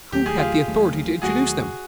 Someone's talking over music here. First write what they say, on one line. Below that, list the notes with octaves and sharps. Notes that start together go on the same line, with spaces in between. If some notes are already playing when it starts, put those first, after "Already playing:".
Who had the authority to introduce them?
D#2 D#3 F#3 A3 G4
G#4
F4 G4
D#2 D#3 F#3 A3
D#2 D#3 F#3 A3 F#4 G#4